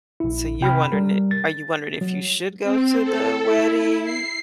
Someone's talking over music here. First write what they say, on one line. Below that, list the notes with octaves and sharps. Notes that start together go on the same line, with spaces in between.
so you're wondering i are you wondering if you should go to the wedding
A#1 E4
C3 G5 B5 F6
G3 A#4
A6
F#3
C4
A4
E4
C7